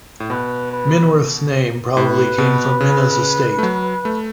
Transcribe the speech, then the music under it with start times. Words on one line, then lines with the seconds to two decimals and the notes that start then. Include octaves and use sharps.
Minworth's name probably came from "Mynna's Estate".
0.20 A2
0.30 B2 B4
0.72 B4
1.97 A2 B4
2.38 B2
2.80 C#3
3.59 A3
3.63 F#3
4.05 A3